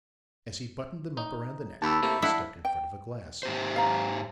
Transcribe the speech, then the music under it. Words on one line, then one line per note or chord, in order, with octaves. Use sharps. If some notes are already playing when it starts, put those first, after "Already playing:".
As he buttoned them up around the neck he stepped in front of a glass.
D#4
D#2 A5 B5 E6
C3 A3 A#3 E4
D4 E4 F5 F#5
G5
G#2 G4 C5
F5 A#5